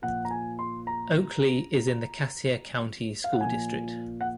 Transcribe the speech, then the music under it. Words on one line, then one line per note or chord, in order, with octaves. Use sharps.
Oakley is in the Cassia County School District.
A#2 F3 F#5
A#5
G#5
C6
A#5
F5
F#5
A#2 F3 G#5
F#5